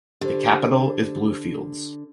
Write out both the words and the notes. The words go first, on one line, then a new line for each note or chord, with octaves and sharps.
The capital is Bluefields.
D3 G4 C5